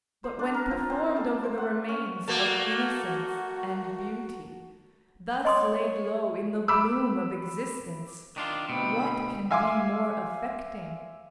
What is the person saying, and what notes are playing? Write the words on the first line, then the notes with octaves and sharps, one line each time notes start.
But when performed over the remains of innocence and beauty, thus laid low in the bloom of existence, what can be more affecting?
C5
D4
A#4
F3
C4
A4
C5
F#5
C#4
A3 A#3 F#4
C#5 D#5 C6 D#6
B5 D6 E6
D#3 D4 F4
D2 B2 C4 B5
E5 F5 G#5 C6 D6